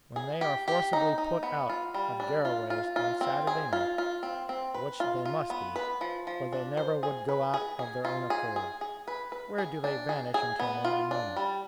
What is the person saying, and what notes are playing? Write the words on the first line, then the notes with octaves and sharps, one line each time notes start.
When they are forcibly put out of Garraway's on Saturday night--which they must be, for they never would go out of their own accord--where do they vanish until Monday morning?
G#4
G4
G4
D#4
D#4
B3
F4
G3
D4
F4
F4
F4
C4
G#4
F4
F4
C4
C4
B4
F4
F4
B3
B4
F3
F3
D4
C5
G#4
B4
G#4
G#4
F4
G#4
G#4
G#4
B4
B4
G#4
D4
G#4
G#4
B3
F4
D4
G3